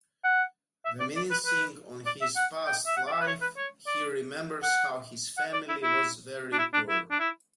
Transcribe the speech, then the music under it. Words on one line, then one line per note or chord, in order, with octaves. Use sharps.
Reminiscing on his past life, he remembers how his family was very poor.
F#5
E5
D5
D5
B4
B4
D5
E5
F#5
G5
E5
F#5
D5
E5
B4
C#5
B4
C#5
D5
F#5
F#5
D5
E4
E4
D4
E4
D4
E4
D4
E4